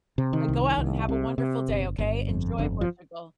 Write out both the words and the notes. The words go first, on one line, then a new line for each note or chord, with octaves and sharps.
Uh, go out and have a wonderful day, okay? Enjoy Portugal.
C3
D#3
C2
C2
C3
C3
G1
G1
F2
G1 D3
F3